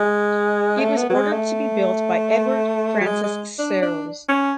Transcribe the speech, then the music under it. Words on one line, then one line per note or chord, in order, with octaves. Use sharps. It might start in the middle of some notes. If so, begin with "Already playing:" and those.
It was ordered to be built by Edward Francis Searles.
Already playing: G#3
A3
B3
F#3
G#3
A3
F#3
G#3
G#3
D4
D4
C#4